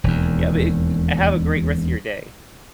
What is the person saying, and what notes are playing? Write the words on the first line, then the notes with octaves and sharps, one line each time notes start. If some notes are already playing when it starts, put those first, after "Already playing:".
Yeah, but it g have a great rest of your day.
E1 D#2